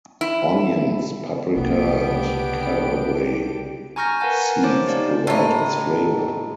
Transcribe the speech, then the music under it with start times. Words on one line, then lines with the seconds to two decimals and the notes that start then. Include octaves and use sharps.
Onions, paprika and caraway seeds provide its flavour.
0.21 E4
1.55 C2 A#3 B3 D4 G4 D7
3.96 G#5 A#5 C#6 F6 G6 A#6
4.20 A#4 B4 F5 F#5 G#5 A5
4.63 D#4 C5 C#5 A5 D6
4.87 D#4 G4 D5 F5 A5
5.27 A2 D#4